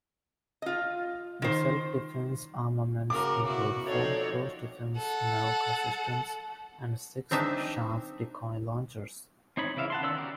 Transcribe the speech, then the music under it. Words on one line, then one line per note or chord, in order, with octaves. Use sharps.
The self-defense armament includes four close defense Meroka systems and six chaff decoy launchers.
F4 D#5
D#3 C5
C#3 F#4 A#4 D6
B2 E4 F#4
F3 C4 D#4 F#4 A4 C#5 D5
A4 F#5
C4 D4 D#4 E5 A5
C4 D#4 C#5 B5
C#3 E3 E4 E5 F5
F#5 A5 C6
D#3 B3 C#4 D5 E6
F#4 G4 A#4